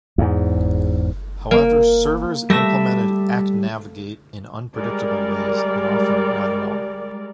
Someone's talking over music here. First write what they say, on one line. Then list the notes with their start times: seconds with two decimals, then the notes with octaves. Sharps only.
However, servers implemented accNavigate in unpredictable ways and often not at all.
0.18 E2 G#2
1.51 A#3
2.50 G3 A3 E5 A#6
4.77 G3 G#3 A#4 D5